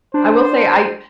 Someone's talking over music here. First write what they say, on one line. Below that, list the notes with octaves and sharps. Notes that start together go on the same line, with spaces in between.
I will say I
D4 C5